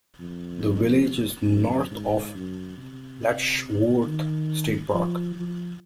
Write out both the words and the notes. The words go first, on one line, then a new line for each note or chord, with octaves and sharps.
The village is north of Letchworth State Park.
F2
F#2
G#2
F#2
C3
D#3
F3
F3